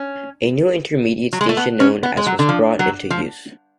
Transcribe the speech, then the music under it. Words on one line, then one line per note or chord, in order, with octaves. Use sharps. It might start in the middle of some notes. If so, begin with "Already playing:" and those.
A new intermediate station known as was brought into use.
Already playing: C#4
F#3
G#3
A3
B3
C#4
B3
G#3
F#3
D3
F3
F#3
F3